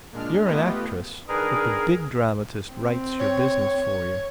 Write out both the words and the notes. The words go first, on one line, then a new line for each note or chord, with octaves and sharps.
You're an actress, but the Big Dramatist writes your business for you.
A#2 G#3 D4 F6
A3 B3 F4 G4 B4 D#5
D#3 D4 G#4 A#4 B4
C4
C#5